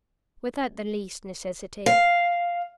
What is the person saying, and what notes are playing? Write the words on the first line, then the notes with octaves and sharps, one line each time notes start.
"Without the least necessity."
F5